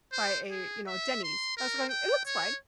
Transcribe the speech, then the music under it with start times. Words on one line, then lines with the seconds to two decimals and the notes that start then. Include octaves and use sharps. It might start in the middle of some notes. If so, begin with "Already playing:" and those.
by a, you know, Denny's. I was going, "It looks fine."
0.12 C5
0.51 G#4
0.87 E5
1.24 C6
1.57 A#4
1.89 G5
2.26 C#5